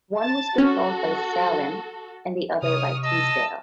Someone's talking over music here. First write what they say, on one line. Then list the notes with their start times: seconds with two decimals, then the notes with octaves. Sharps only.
One was controlled by Saleam and the other by Teasdale.
0.19 A5 A6
0.58 C#4 F#4 A4
2.62 C3 C#5 D#6 F6
3.04 D#5 A5 E6